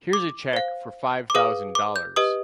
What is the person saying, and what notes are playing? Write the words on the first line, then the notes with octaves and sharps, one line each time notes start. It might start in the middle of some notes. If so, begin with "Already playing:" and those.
Here's a check for five thousand dollars.
D6
C5 F5
D6
G#4 B4 F5 D#6
D6
G6
G4 B4 D#5 D#6